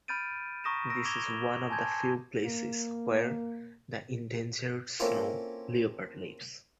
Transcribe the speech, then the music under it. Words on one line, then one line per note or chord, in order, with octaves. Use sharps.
This is one of the few places where the endangered snow leopard lives.
B5 F6 G6 A6 D7 D#7
A#5 C#6 D#6 A#6 B6 E7
E6 A#6 D7
D6 G#6 E7 F7 G7
G#5 A5 C6 G6 G#6
A#3
A#3 C4 C#4 E4 F4 A4